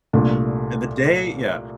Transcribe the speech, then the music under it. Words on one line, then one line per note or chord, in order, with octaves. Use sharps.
and the day yeah.
C2 A#2 A3 D4